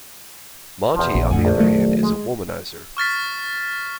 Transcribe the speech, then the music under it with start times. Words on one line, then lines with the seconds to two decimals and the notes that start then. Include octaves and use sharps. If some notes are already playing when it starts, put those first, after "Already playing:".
Monte, on the other hand, is a womanizer.
0.95 E2 F3
1.15 A#1
1.31 F2 A2 D3 F#5 G#5
1.45 A#1
1.60 D#3 F#3 A3
2.03 G#3
2.97 C#6 F6 A6 B6